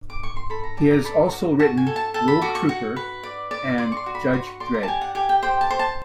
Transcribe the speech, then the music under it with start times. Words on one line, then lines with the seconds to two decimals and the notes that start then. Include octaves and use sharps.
He has also written "Rogue Trooper" and "Judge Dredd".
0.10 D6
0.23 C#6
0.37 C6
0.50 A4 B5
0.64 A#5
0.77 D5 A5
0.91 A#5
1.04 A4 B5
1.32 F#4
1.59 F#4 A5
1.77 G#5
1.87 A4
1.96 A5
2.14 A4 A5
2.28 B5
2.41 F#4 D6
2.55 C#6
2.69 F#4
2.96 B4
3.23 D5
3.51 D5
3.78 D5 C6
3.92 C#6
3.97 C6
4.06 F#4
4.15 B5
4.33 F#4 C6
4.47 C#6
4.60 D5 C6
4.74 A#5
4.83 A5
4.88 G4 G#5
5.01 F#5
5.15 G4 G#5
5.29 G5
5.43 C5 G5
5.61 A5
5.70 C5
5.79 A5